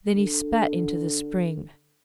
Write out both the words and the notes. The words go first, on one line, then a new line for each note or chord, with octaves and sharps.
Then he spat into the spring.
D3